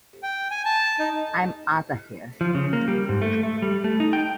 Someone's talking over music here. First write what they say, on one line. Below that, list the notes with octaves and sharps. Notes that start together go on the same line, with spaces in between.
I'm Outta Here!
G5
G#5
A5
D#4
F3
C#3
A#3
G3
G#2
A3
A3
G3
A3
D#4
G5